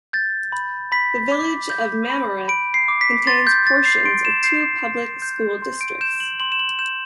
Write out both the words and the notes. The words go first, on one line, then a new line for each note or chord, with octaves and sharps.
The Village of Mamaroneck contains portions of two public school districts.
G6 A6
B5
B5 B6
D6
G6
B5
B5 D7
C7
D6
B6
C6 A6
G6
G6 A6
C7
C6 D7
E7
G6 C7
C6
G6
C6
D7
G6 E7
F#7
C6 F#7
E7
F#7
G6 E7